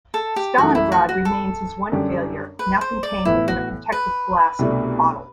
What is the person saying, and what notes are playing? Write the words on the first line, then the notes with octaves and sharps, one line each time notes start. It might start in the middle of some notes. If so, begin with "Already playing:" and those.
Stalingrad remains his one failure, now contained within a protective glass "bottle".
A4
G4
F#2 E3 A3 F#4
E4
F#4
F#4
A4
F#2 D3 G3 D4 G4
B4
C5
D5
A2 E3 B3 E4
F#4
B4
C2 B2 A3 D4